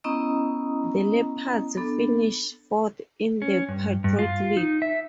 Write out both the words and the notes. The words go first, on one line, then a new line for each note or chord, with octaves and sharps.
The Leopards finished fourth in the Patriot League.
B3 C#4 E4 D#5 A#5 D#6
B3 D4 A4
C#4
G2
G2
F4
D#4
E5